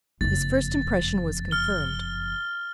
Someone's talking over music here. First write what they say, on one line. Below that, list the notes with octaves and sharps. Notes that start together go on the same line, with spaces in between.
His first impression was confirmed.
F#1 F2 A6
F6 G7